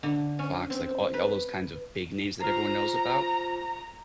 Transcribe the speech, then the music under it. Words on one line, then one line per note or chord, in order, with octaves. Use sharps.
Fox, like, all all those kinds of big names that everyone knows about,
D3
C#4
C4
B4
F4 C5 A#5